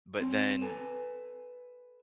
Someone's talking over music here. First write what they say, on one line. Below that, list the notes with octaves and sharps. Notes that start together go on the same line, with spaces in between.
but then
C4 C#5
A4 B4 C5 G#5